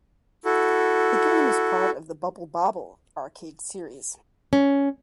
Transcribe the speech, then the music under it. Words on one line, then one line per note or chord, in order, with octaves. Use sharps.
The game is part of the Bubble Bobble arcade series.
E4 F#4 A4
C#4